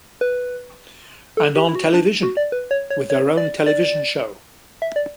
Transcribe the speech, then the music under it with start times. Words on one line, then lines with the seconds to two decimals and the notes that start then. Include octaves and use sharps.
And on television, with their own television show.
0.21 B4
1.37 A4
1.56 G4
1.69 E4
1.75 F#4
1.94 D4
2.23 F#4
2.37 D5
2.52 B4
2.71 C#5
2.90 C#5
3.10 C#5
3.37 D5
3.66 D5
4.82 E5
4.96 D5